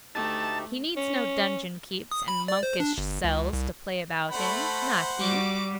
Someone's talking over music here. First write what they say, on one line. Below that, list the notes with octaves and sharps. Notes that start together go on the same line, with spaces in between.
He needs no dungeon keeps and monkish cells to play about in--not he!
D2 A3 D#4 G4 A5
C#4
D#6
B5
D5
C5
D4
G1
C#2
C2
A3 C5 F#5 B5
G3 F#4 D6